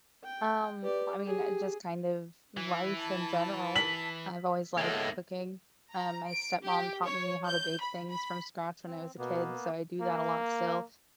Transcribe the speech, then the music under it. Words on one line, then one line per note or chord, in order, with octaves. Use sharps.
Um, I mean, uh, just kind of life in general, I've always liked cooking, uh, my stepmom taught me how to bake things from scratch when I was a kid, so I do that a lot still.
G5
G4 B4 D5
G4 G#4
E3
A5
B6 F#7
D#2 G#3 A#3 B3 A4 C#5 E5
A#5
D7
G4
C#5
G6
B5
B5
C4
B2 A#3 B3
A#3